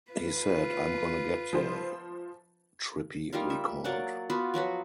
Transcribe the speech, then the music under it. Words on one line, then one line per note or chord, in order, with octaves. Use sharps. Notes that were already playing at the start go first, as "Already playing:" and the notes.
"He said, 'I'm gonna get ya,'" Trippi recalled.
F4 B4
F3 C5
G3 A#3 D#4 F4
E5
F#3 A#3 D5 F#5
B3 F4 F#4 B4
F3 F#3 F#4 B4